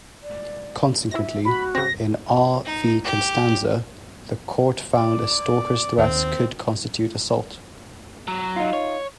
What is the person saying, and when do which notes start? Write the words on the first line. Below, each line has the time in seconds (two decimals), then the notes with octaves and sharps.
Consequently, in "R v Constanza", the court found a stalker's threats could constitute assault.
0.23 D5
1.11 E4 E5 A#6
1.45 F#4 B5
1.75 C#3 C4 A#6
2.65 D#4
3.04 G4
4.97 D5
5.98 D#2 C4
8.28 F#3
8.56 D#4 F4
8.73 C#5